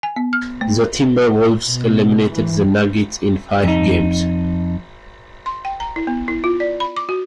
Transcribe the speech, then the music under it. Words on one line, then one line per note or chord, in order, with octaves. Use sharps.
The Timberwolves eliminated the Nuggets in five games.
G#5
B3
F6
A3
B2
E3
F2 D#4
C6
G5
A#5
E4
B3
E4
F4
D5
B5
D6
F#4